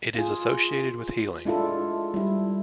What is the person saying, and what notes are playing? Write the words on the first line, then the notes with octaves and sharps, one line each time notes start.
It is associated with healing.
F4 G#4
G#3 D4 E4 F4 A4
G3 E4